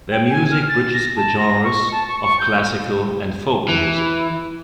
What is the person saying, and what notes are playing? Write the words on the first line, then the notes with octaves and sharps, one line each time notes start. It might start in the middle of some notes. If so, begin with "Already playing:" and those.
Their music bridges the genres of classical and folk music.
G5
G#5
F6
A6
A#6
A5
A#6
C#6
A5
C#6
C#6
G6
E3